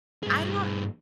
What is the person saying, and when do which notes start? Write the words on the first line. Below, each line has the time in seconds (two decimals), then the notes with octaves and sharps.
I'm not
0.23 G2 G#4